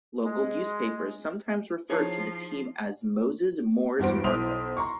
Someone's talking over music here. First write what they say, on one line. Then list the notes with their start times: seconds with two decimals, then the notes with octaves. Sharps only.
Local newspapers sometimes referred to the team as Moses Moore's Marcos.
0.25 G#3
1.90 F3 D#4 E4 G#4 C#5 A5 C6
3.99 E2 G2 F#4 C5 D7
4.24 B1 E4 C5 D#6 F7
4.77 A#5 C6 C#6